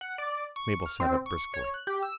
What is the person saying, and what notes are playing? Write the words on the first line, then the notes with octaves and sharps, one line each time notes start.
Mabel sat up briskly.
F#5
D5
C#6
F6
C4
C#6
C#5
F#6
G4
E6